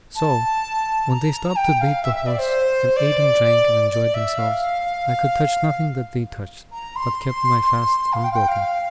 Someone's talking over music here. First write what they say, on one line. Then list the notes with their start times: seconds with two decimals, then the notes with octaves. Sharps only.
So, when they stopped to bait the horse, and ate and drank and enjoyed themselves, I could touch nothing that they touched, but kept my fast unbroken.
0.15 A5
1.09 A#5
1.56 G5
1.80 F5
2.02 E5
2.15 E5
2.26 D5
2.38 C5
2.96 D5
3.90 D5
4.14 E5
4.37 F5
6.72 A#5
6.95 C6
8.12 F5
8.24 G5
8.31 F5
8.35 G5
8.48 F5